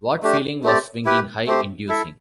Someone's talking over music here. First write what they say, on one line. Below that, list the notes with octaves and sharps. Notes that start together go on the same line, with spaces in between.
What feeling was swinging high inducing?
A3 D4 G4
A3 C4 G4 D5
E4 G4 B4
A3 C4 G4 C5
E4 A4 E5